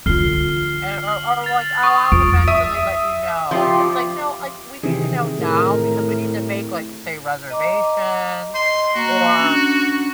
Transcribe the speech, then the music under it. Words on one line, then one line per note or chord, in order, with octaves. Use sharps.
and or or, like, "Oh, I'll eventually let you know." It's, like, "No, like, we need to know now because we need to make," like, say, "reservations," or,
D3 F4 F6 C7 G7
F#7
A6 F7
C#6 D#6
F2 D7
E5 D#6 D#7
F3 F4 G4
C3 D#3 E3 G#4
A2 A#4
D#5 A#5 D6
D#5 C6
A#3 F#4 A#5
C#4 D4